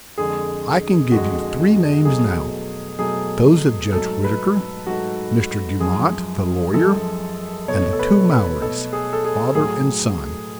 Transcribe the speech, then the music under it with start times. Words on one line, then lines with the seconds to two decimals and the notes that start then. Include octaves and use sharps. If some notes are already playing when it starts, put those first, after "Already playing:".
"I can give you three names now. Those of Judge Whittaker, Mr. Dumont, the lawyer, and the two Mowries, father and son."
0.18 F2 D3 G#3 G#4
1.12 F2 D3 G#3 F#4
2.05 B2 F#3 A3 G#4
2.99 B2 F#3 A3 G#4
3.93 G#2 F#3 A3 A4
4.24 B4
4.87 G#2 F#3 A3 F#4
5.80 F#2 F3 G#3 G#4
6.74 F#2 F3 G#3 A4
7.68 B2 A3 C#5
7.93 A4
7.99 B4
8.31 B4
8.61 B2 A3 A4
8.93 G#4
9.13 A4
9.25 G#4
9.55 A2 F#3 A3 G#4